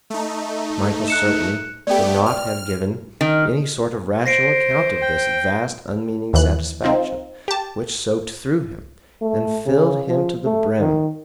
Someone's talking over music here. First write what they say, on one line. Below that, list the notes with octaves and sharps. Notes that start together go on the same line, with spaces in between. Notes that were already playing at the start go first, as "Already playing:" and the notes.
Michael certainly could not have given any sort of rational account of this vast unmeaning satisfaction which soaked through him and filled him to the brim.
A3 D#4
F#6 C#7 E7
A3 B3 G4 D5 G5
F6
D#3
C5 A#6 C7 D7
G5
D#2 E3 F#6
C4 D#4 F4
G4 A5
A3
C#3
F3
A3
D#3